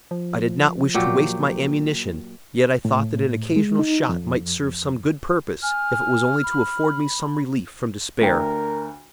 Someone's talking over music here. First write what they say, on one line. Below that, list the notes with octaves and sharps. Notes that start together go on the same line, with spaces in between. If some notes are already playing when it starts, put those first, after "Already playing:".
I did not wish to waste my ammunition, yet I thought that an occasional shot might serve some good purpose, if it was only to afford me some relief from despair.
F3
A#2 F#3 G4
A2
G#3
D#4
F2
G#5 F6
B5
D2 D4 A#4 G5